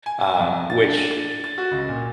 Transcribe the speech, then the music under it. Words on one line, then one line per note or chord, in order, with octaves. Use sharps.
uh, which,
G#5
F2
A6
D4
A6
A6
F#4
C#2
A#2